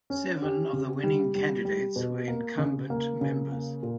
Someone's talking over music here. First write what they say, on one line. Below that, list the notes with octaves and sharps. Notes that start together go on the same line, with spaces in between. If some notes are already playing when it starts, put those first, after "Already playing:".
Seven of the winning candidates were incumbent members.
C#4
G4
C#3
G3
G3
G3
B2
A#3
C#3
A#3
C#3
A#3
A#2